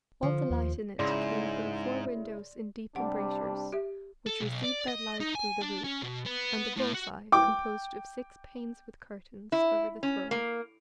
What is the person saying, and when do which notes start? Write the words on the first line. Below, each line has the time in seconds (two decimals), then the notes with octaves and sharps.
All the light in it came from four windows in deep embrasures, which received their light through the roof, and a bull's-eye, composed of six panes with curtains, over the throne.
0.23 D3 F3
0.50 D#2
0.99 G#2 C#3 E4 D5 C6 A#6
2.96 C3 G3 D4 F#5
3.72 G4 E5
4.27 A4
4.41 B1
4.64 D5
4.88 D#5
5.20 D#4
5.35 G#5
5.61 D4
5.84 C#4
6.02 B2
6.26 B3
6.76 A2
6.94 F#4
7.32 G5 D6
9.52 E4
10.03 C#4
10.31 A#3